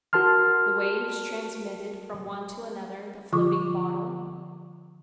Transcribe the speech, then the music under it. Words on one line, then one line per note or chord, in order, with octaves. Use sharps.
The waves transmitted from one to another the floating bottle.
F#4 A#4 A5 C6 F6
D3 F3 F4 C#6 D6